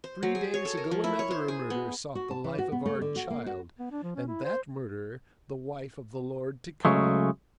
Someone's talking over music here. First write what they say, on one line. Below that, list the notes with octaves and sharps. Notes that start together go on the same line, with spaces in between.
Three days ago another murderer sought the life of our child, and that murderer the wife of the Lord Tikal.
C5
F#3
G#4
C#5
A4
A#4
F3
E4
C#5
C5
G#4
B3
F#4
A5
E3
F#4
B3
A3
D3
F#4
A#3
F#4
B3
D4
F3
C#4
E4
C5
C#3 F#3 G#3 A3